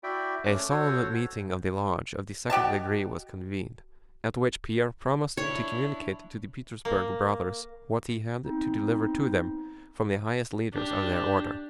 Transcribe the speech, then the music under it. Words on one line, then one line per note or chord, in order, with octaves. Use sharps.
A solemn meeting of the lodge of the second degree was convened, at which Pierre promised to communicate to the Petersburg Brothers what he had to deliver to them from the highest leaders of their order.
E4 F#4 D5 E5 G5
A3 C#4 D6 F#6
F#4 A4 C5 C#5 F#5
F#4 G4 D#5 A5
D4 E4 C#5
A#3
B3 C4 D#4
D4 G4